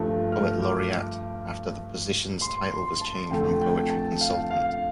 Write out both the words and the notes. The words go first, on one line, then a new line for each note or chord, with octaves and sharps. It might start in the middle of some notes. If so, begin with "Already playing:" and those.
Poet Laureate after the position's title was changed from Poetry Consultant.
Already playing: G2 F3 A3
F6
D6
C6
C6
A5
F2 D3 A3 G5
G5
A5
F5
F5